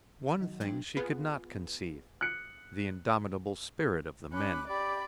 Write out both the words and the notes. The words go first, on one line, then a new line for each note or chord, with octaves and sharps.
One thing she could not conceive--the indomitable spirit of the men.
D#3 F#3
A#3 C4 D4
B3 F4 G#4
F#6 C#7
C#4 B5 D6 F#6
G4 D5 B5